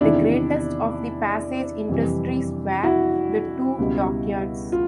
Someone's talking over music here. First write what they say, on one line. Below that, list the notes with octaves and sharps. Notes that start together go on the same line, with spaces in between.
The greatest of the Passage industries were the two dockyards.
E2 C3 D#3 D4 E4
F2 C3 E3 G3
E4 F#4
C#2 B2 G3
F4